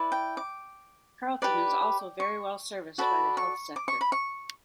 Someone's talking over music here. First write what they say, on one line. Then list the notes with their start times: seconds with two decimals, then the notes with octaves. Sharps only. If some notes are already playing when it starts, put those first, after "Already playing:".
Carlton is also very well serviced by the health sector.
Already playing: E4 B4 D5
0.12 G5
0.37 D6
1.42 G4 B4 D5
2.20 C#6
2.98 F#4 A4 D5 B5
3.37 C#6
3.76 D6
3.88 C#6
4.01 B5
4.12 C#6